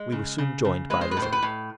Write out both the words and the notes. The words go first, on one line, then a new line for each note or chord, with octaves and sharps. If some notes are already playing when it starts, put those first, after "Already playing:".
We were soon joined by Elizabeth.
Already playing: G#3
C#3
C#3
C#3
G#3 B4
C5
B4
A2
C5
B4
A2